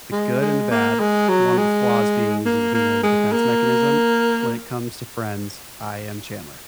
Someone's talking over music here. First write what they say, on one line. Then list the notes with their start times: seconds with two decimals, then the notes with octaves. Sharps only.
the good and the bad one of the flaws being using humor as a defense mechanism, when it comes to Friends, I am Chandler.
0.12 G#3
0.41 G#3
0.71 A#3
1.00 G#3
1.29 F#3
1.58 G#3
2.46 A#3
2.74 A#3
3.03 G#3
3.32 A#3